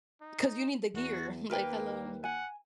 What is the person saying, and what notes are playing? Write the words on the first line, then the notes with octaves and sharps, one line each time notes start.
'cause you need the gear, like, "Hello."
D#4
E2 F#4
D#2 A#3 A#4 B4 G5
F#5 G#5